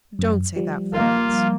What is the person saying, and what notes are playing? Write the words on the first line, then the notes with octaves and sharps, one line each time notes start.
"Don't say that, Florence."
F#2
F3 G3
A#3 F4